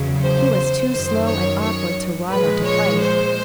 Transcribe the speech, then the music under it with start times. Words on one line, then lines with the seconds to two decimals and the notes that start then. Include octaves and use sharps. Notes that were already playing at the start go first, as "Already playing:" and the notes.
He was too slow and awkward to run or to fight.
Already playing: E2 C#3 F#3
0.22 C5
0.90 F#2 D#3 F#3 C5
1.25 C#5
1.61 C#5
2.29 A#2 F3 G#3 B4
2.65 C#5
2.99 C5